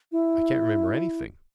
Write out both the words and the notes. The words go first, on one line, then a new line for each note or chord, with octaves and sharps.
I can't remember anything.
E4